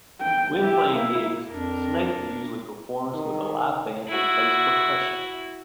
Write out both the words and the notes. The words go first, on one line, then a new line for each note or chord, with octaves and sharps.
When playing gigs, Snaith usually performs with a live band and plays percussion.
G5
E4 G4
A#3 E4
F2 D4 A#4
D#3
E4 F#4